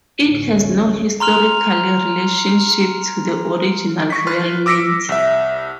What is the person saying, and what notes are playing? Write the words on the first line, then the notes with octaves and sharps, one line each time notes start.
It has no historical relationship to the original Royal Mint.
A1 D2 A2 C#4
A#5 C6 F6 F7
C#6 B6
B4 C6 F6 A6
D6 E6 A#6 B6 C#7 D7
C2 E5